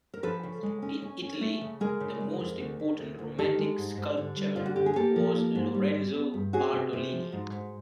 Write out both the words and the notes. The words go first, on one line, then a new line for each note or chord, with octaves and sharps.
In Italy, the most important Romantic sculptor was Lorenzo Bartolini.
A#4
F3 A4 B4
C#3
G#3
C#4
C#4
C#4
A3
C#3
G#3 G#4 A#4
C#3
G#3
F2
D2
D2
D2
D2
D#3 G4 A4
G#3
G#2
G#2
D3
G3
D3 F4
F#4
D3 G4
G#4
A#3 G4 A4
F3
A#3
G#2
G3
G3
B3
G2
C#4 F#4 G#4
C3
C3
F3
G#2
G#2